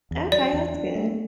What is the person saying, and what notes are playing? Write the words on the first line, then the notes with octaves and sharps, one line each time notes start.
Okay, that's good.
E2
F#3 D5
E2
D4
A3